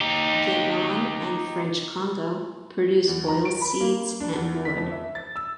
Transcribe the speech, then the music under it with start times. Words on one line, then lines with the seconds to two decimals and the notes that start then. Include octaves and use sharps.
Gabon and French Congo produce oilseeds and wood.
0.01 D#4 G4
3.08 E2
3.28 A#5
3.45 D7
3.62 B5
3.80 A#3
4.20 D4
4.35 E2
4.65 B6
4.77 F2
4.92 E5
5.15 A6
5.36 E6